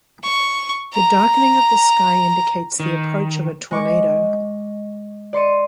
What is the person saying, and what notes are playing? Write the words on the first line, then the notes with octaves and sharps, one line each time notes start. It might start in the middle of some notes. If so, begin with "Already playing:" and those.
The darkening of the sky indicates the approach of a tornado.
C#6
A#5
D#3
G#3 C#6 D6
D5 C6 C#7 D#7